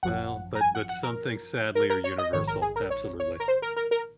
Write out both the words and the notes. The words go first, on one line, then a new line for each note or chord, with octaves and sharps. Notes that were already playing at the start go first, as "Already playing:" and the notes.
Well, but but some things sadly are universal, absolutely.
G#1 F#2 F3 F#5
A#5
G#5
F#5
F#5
A#4
A#4
A#4
C#5
D#5
A#1 G#2 D#3 C#5
A#4
G#4
A#4
C#5
C#5
A#4
C5
A#4
A#4
A#4